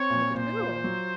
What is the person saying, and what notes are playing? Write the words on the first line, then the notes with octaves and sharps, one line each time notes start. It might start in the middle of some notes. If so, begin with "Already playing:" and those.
"Look at who?"
Already playing: C4 C#5
A#2
A#2 C5
F4
F#3